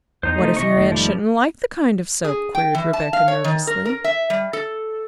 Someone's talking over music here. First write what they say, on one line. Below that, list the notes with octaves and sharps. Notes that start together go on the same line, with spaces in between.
"What if your aunt shouldn't like the kind of soap?" queried Rebecca nervously.
E2 D#4 C5
C3 A3
C3 E3 D#5 C#6
F1 D#3 A3
F3 G3
G#4
G5
E3
A5
F5
C#5
D#3
A#4
A#4
E5
G3
A4